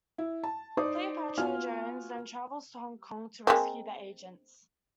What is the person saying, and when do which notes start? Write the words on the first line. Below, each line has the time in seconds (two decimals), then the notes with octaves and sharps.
Cleopatra Jones then travels to Hong Kong to rescue the agents.
0.18 E4
0.44 A5
0.77 D#4 C5 D5 D6 D#6
1.38 B3 F4 F#4 G#5 F6
3.47 G#3 A#3 C4